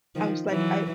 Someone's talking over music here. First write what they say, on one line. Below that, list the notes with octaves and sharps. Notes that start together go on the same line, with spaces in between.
I was like, I
D#3 F3
E3 F#3